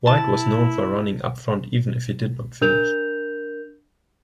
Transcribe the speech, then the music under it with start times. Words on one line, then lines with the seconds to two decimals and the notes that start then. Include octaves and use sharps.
White was known for running up front even if he did not finish.
0.07 E4 A5
2.61 D4 A#4 G6 F7